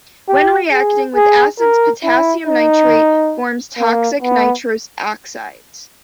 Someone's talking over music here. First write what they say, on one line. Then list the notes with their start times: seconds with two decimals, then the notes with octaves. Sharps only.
When reacting with acids, potassium nitrite forms toxic nitrous oxides.
0.28 G4
0.72 G#4
1.15 G#4
1.59 A#4
2.03 E4
2.47 D#4
3.78 A#3
4.22 B3